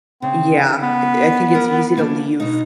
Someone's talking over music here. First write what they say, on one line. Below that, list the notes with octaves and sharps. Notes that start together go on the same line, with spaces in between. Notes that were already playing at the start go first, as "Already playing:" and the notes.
Yeah, eh I think it's easy to leave
C#3 C4
B3
A#4
A#3 C#4 D4
B2 D#4